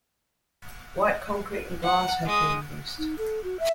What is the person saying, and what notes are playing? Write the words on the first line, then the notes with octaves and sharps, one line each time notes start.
White concrete and glass have been used.
F#5
G#3 D#6
D#4
A4
F#4
E5